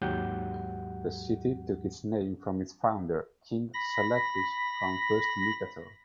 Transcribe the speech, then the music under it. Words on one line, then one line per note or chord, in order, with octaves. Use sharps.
The city took its name from its founder, King Seleucus the First Nicator.
D#2 G#2 F#3 G4 F#5 G6
B5 A#6